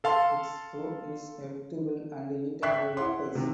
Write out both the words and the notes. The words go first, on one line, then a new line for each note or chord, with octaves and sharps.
Its fruit is edible and eaten by locals.
A4 F5 A5 C6
E5 G5 C#6 F#6 B6 C7
E4 F#5 C6
C3 D#3